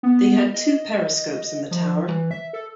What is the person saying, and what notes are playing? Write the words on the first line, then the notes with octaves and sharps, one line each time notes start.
They had two periscopes in the tower.
B3
D#5
F3
E3
E5
A4